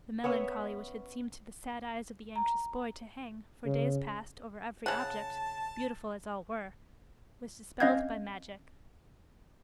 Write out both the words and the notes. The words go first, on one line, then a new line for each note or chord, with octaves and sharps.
The melancholy which had seemed to the sad eyes of the anxious boy to hang, for days past, over every object, beautiful as all were, was dispelled by magic.
B3 C#4 C#5 E5
A#5
C#3
C#3 F#5 A5
C4 C#4 D#5 F5 G6 G#6